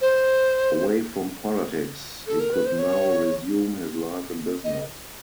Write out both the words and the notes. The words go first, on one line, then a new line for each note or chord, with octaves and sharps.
Away from politics, he could now resume his life in business.
C5
A4
A#4
B4
C5
C#5
D#5